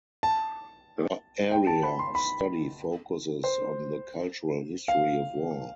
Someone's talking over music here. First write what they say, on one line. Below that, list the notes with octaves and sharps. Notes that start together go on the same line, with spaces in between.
Her area of study focuses on the cultural history of war.
A5
G5
A5
B5
C6
B5
C5
F5